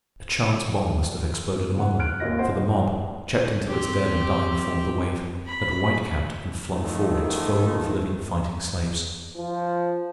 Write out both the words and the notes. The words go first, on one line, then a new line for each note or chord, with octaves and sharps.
A chance bomb must have exploded among them, for the mob, checked until its dead and dying formed the wave, had white-capped and flung forward its foam of living, fighting slaves.
C#3 F#5
F6 F#6 D7
G#1 D#2 C#4 F4 D#5 A#6
C5 D#5 F#5
C4 G4
B5
A1 D#3 F3 A3
F3